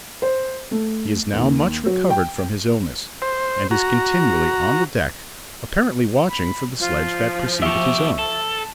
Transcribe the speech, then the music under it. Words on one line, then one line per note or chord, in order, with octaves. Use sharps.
He is now much recovered from his illness and is continually on the deck, apparently watching for the sledge that preceded his own.
C5
A3
D#2
F#3
G5
C5
F#4 A#5
B5
F3 F4
B2 G4 E5 C#6
A4 A5